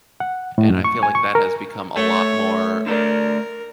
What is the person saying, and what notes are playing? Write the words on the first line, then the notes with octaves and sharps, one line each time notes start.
and I feel like that has become a lot more
F#5
A2
F#2
C#6
G#5
C#6
A#4
A3 C#5
D3 A3 A#4 D5